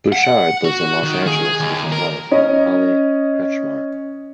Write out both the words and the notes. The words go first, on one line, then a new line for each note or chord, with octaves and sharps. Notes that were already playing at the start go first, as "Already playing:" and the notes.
Bouchard lives in Los Angeles with his wife, Holly Kretschmar.
F#5
F#4
D#3
G#4
D#2
A#4
C#4 D#5